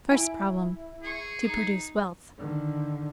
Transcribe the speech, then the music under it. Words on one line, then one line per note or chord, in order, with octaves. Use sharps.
First problem: To produce wealth.
E4 G#5
G#4 C#6
D#4
D3 D#3